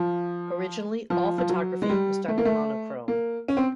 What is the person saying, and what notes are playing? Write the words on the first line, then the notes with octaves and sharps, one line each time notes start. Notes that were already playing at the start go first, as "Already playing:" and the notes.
Originally, all photography was done in monochrome.
Already playing: F3
F3
F3
F#3
G#3
G3
A3
A#3
A3
A#3
C#4
C4